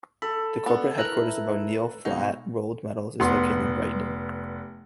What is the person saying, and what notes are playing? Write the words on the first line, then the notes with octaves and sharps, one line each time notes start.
The corporate headquarters of O'Neal Flat Rolled Metals is located in Brighton.
A4 B5
B3 D4
E4 A#4 B4 E5 A#5 F#6
B2 G#3 D#4 F#4
F1 B3 C6